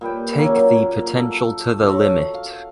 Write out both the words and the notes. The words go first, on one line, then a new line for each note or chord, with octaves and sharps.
Take the potential to the limit.
A#2 G3 B4 G5
A#3 C#4 E5
F#3
A4
F#4 A4 C#5 E5
F5